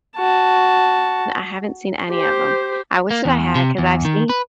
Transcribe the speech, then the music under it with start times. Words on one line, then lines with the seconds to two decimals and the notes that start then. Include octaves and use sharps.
I haven't seen any of them. I wish that I had, 'cause I've seen
0.17 F#4 A5
2.10 G4 C5
3.11 A#3
3.25 E2
3.55 C3
3.78 E2
4.05 D#3
4.29 B4